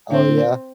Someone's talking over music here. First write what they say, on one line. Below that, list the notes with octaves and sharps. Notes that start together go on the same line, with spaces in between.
Oh, yeah?
D3 C4